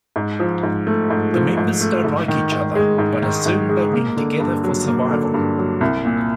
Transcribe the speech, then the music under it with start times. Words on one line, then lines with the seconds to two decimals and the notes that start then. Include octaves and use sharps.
The members don't like each other, but are soon banding together for survival.
0.16 G#2
0.40 F3
0.63 G#2
0.87 A3
1.10 G#2
1.34 F3
1.57 G#2
1.81 A3
2.04 G#2
2.28 D#3
2.52 G#2
2.75 G#3
2.98 G#2
3.22 D#3
3.46 G#2
3.69 G#3
3.93 A#3
4.16 D3
4.40 G2
4.63 F#3
4.87 A#3
5.10 D3
5.34 G2
5.58 F#3
5.81 C2
6.05 A#2